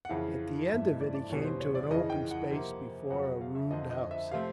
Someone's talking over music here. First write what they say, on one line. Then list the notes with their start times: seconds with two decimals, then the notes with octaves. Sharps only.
At the end of it he came to an open space before a ruined house.
0.05 F#5
0.09 F2 C#3 E3 F5
0.70 G2 E3 A3 E5
0.85 D#5
1.01 D5
1.14 D5
1.29 E2 B2 G3 C#5
1.45 C5
1.60 C#5
1.75 D5
1.90 F2 C#3 E3 D#5
2.10 G5
2.31 F#5
2.51 C3 F3 A#3
3.10 F2 C#3 F#3 F#5
3.26 F#5
3.41 F5
3.55 E5
3.71 F2 D3 F3 D#5
3.91 D#5
4.11 E5
4.31 C3 F3 A3 C4 F5